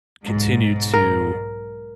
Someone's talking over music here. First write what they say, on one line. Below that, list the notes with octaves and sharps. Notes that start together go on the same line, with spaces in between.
continue to
B1 G#2
A#4